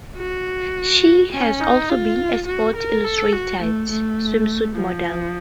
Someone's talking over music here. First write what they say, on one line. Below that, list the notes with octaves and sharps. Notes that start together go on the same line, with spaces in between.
She has also been a "Sports Illustrated" swimsuit model.
F#4
C#4
D#4
F4
F#4
A#4
A4
F#4
A3
A3
F3